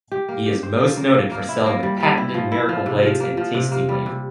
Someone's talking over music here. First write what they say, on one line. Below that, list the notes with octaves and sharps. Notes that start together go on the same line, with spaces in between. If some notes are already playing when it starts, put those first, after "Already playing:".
He is most noted for selling the patented Miracle Blades and the TastiWave.
G4
A#3
G4
C5
F3
A#3
A#3
A#3
E4
A#3
G3
G3
E4
F3
E4
F3
C3
F3
A#3
F3
C3
A#3
G3
C3